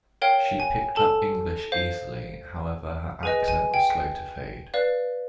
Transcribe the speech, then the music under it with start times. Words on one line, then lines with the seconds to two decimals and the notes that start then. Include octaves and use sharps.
She picked up English easily, however, her accent was slow to fade.
0.22 A#4 C#5 F5 G5
0.60 G#5
0.96 A4 A5
1.72 C5 F5
3.23 G#4 B4 D#5 G#5
3.48 G#5
3.74 G5
4.74 B4 D5 F5